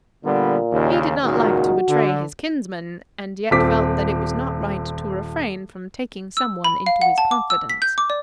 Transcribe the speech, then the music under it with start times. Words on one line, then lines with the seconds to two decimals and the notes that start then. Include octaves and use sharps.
He did not like to betray his kinsman, and yet felt that it was not right to refrain from taking someone into his confidence.
0.25 A#2 D3 G3 B3
0.72 D#2 C#3
1.23 C#2 A#2 D#3 F#4
1.88 D3
3.51 D#1 C4 F4 A4 D6 B6
6.37 E6
6.64 B5
6.86 F5
7.02 F#5
7.18 A5
7.31 D6
7.50 E6
7.70 B6
7.82 G6
7.98 D6
8.10 D5